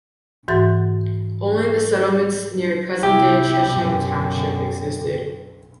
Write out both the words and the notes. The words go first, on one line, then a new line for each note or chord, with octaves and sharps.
Only the settlements near present-day Checheng Township existed.
G#2 E3 F#4 F#5 C6 A6
C3 E4 G4
F#2 B2